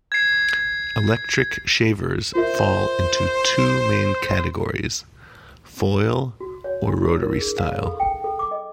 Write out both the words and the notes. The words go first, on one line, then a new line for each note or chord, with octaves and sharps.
Electric shavers fall into two main categories: foil or rotary-style.
G#6 C7
F4 A#4 C5 E5
F#4
C#5
D4
E4
A#4
G#4
F5
A4
G5
A4
D6
D#5